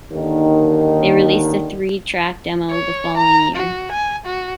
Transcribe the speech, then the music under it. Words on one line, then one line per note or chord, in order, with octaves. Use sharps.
They released a three track demo the following year.
D#2 D3 D#3
C#5
A#5
F#4
G#5
F#4